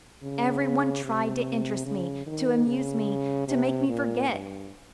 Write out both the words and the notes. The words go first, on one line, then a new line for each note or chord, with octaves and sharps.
Every one tried to interest me, to amuse me, to make me forget.
C#3
C3
C#3
D#3
C#3
C3
A#2
G2